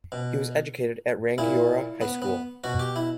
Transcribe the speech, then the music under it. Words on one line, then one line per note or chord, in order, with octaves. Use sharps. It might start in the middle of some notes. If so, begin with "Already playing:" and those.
He was educated at Rangiora High School.
B2
A#2 E4
B3
B3
B2 F#4
G4
E4